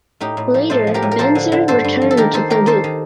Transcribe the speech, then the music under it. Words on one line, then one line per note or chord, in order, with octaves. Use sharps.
Later Benzer returned to Purdue.
A2 D#4 G4
A2
F3
A2 A4 C5
F3
G4 A#4
A2
A#4
F3 A4 C5
D3
D3
G2 A4 C5
G2
F3
A4
D#3 G4 A#4
D#3 A4 C5
D#3 G4 A#4
D#3 A4 C5
D#3